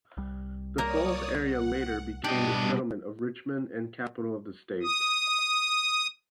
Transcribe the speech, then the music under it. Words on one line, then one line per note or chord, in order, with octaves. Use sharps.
The falls area later became the settlement of Richmond and capital of the state.
C2 G3
A#3 A#4 C#5 D5 D#6
F#5
B2 G3 D4 G4 D#5
D#6